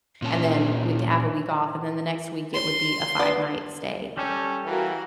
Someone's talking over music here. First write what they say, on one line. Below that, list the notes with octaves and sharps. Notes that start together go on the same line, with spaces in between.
and then we'd have a week off, and then the next week, it would be a five-night stay.
A#2 C#4 A5
C6
B3 D4 B4
G3 C#4 G4 A4
E3 F#4 A#4 F5